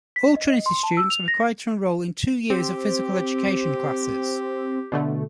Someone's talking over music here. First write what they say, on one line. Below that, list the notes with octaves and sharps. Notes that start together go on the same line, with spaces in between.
All Trinity students are required to enroll in two years of physical education classes.
B6
D#5
D#5
C6
A5
E6
F7
A#6
C4 G4
B2 D3 A3